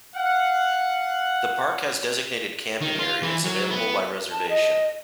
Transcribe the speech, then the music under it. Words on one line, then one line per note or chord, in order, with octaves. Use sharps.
The park has designated camping areas available by reservation.
F5 F#5
D#3
F4
E3
F#3
B3
A5
D#5